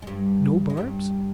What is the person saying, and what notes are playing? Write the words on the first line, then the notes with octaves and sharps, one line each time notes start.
"No barbs?"
G#3
G2 G3
G#3
G2 G3